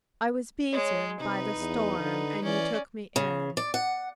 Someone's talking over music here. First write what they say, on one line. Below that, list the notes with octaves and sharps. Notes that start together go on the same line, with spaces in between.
I was beaten by the storm, and you took me in.
G#3 C#5
C3 D#4 B4
E2
D3
E3 C#4 D5
C#3
D5
F#5